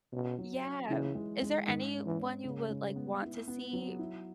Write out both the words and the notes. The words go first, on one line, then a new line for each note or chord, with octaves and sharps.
Yeah. Is there anyone you would, like, want to see
B2 C#4
F#3
C#4
C#3 E3
G#3
G#3
G#2 D#3
C#4
E3
C#4
C#3 G#3
G#3
B3
E4
B3
F#3
E4